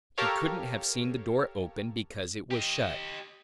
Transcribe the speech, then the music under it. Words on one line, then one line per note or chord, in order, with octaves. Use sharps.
He couldn't have seen the door open because it was shut.
G4 A4 A#4 C#5 F5
G4 D#5